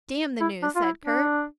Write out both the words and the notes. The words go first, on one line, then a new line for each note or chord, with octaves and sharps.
"Damn the news," said Kurt.
E4
D4
F4
E4
D4